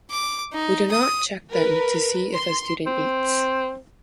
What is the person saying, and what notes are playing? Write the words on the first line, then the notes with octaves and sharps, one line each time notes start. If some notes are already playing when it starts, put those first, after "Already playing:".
We do not check them to see if a student eats.
D6
D#4
D#6
A#4 B4
C6
C4